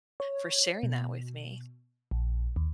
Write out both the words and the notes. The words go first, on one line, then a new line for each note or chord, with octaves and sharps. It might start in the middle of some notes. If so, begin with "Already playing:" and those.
for sharing that with me.
C#5
B2
A#1
D#2